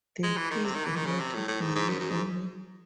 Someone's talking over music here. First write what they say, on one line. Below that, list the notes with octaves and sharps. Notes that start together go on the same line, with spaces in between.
They paid a lot of money for me.
G#3
E3
D#3
C3
D#3
E3
D#3
C#3
C3
A2
A2
G#2
G#2
F#2
F#2
G#2